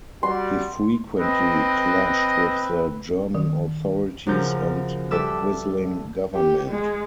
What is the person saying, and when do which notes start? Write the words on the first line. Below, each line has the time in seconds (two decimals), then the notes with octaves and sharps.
He frequently clashed with the German authorities and the quisling government.
0.23 G3 F#4 C6
1.19 C4 B4 D#5
3.35 D#3
4.26 F#2 C#3 F3 A#4 G6
5.11 G2 A4 E5 D6 E6
6.34 G4
6.69 G#3